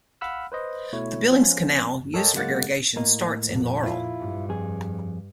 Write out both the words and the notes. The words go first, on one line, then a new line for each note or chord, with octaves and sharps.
The Billings Canal, used for irrigation, starts in Laurel.
F5 F#5 B5 E6 F6
B4 C5 D#5
B2 A3 E4 C#5
F3 B3 C#4 F4
A4 A#4 C#5 D#5 G5 A5
C#3 F#3 G#3 A#3 F#5 A6
A2 A#3 D#5
F2 A#2
E4 F4
G2
F2 G#4